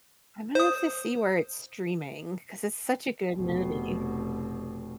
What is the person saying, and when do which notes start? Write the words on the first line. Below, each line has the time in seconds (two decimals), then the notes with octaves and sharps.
I'm gonna have to see where it's streaming, 'cause it's such a good movie.
0.55 C5 D#6
3.35 F1 B2